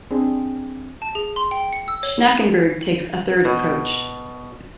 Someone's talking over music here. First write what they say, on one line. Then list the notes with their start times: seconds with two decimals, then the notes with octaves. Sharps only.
Schnackenberg takes a third approach.
0.11 C4 D4 G#4
1.02 A5
1.15 G#4
1.36 C6
1.51 G5
1.73 C#7
1.88 E6
2.03 C#5
3.45 B2